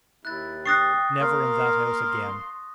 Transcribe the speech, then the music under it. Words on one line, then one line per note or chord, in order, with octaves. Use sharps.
Never in that house again!
D#2 E4 F#6 A6
G5 C#6 D#6 F#6 A6 A#6 C7
A#3 A#4 F5 C6